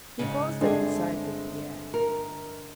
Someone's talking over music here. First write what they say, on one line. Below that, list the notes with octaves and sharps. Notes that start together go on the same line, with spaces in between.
He paused at the sight of Pierre.
G#2 C#3
G1 G#3 C4 D4 G#4 A4
A#4